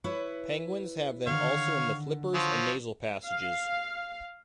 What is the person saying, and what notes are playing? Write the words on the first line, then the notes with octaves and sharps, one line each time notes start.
Penguins have them also in the flippers and nasal passages.
E4 B4 C#5
D3 D#3 C#5 F5
F3 F#3
F5